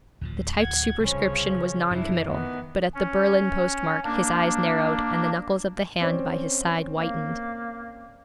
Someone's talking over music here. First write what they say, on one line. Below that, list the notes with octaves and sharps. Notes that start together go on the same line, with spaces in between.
The typed superscription was noncommittal, but at the Berlin postmark his eyes narrowed and the knuckles of the hand by his side whitened.
D2 A2 F3
F#5 G#6
C2 C#3 F3 C#4
F#2 C3 D4 E4
D#3 E3 B3
C#4
A#3 D4
C4 C#4 D5
A#3